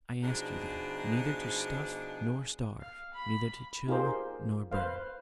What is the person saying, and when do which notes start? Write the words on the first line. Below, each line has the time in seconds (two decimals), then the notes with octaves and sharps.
I ask you, then, neither to stuff nor starve; neither to chill nor burn.
0.23 B2 F3 D4 D#4 G#4
2.80 F5
3.14 B5
3.87 D#4 F4 G4 G#4 A#4 C5
4.72 B4 C5 F5